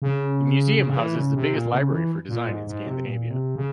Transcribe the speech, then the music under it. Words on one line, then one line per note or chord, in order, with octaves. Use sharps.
The museum houses the biggest library for design in Scandinavia.
C#3
C#3
C#3
E3
C#3
C3
A#2
C#3
E3
A#2
G#2
G#2
C3
A#2
C3
C#3